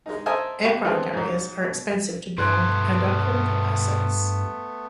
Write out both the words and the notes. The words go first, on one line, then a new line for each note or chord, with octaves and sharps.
Aircraft carriers are expensive to build and are critical assets.
G#3 D#4
A4 A#4 C5 D#5 E5 G#5
F#4 G4 B5 C#6
E3 G#3 B3 C4 G#4 A4
G#2 F#3
B2
G2 B2 G3 A3 B3 C6 F#6 G#6